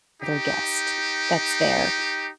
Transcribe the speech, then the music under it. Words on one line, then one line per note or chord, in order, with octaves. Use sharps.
other guest that's there
D#4 G4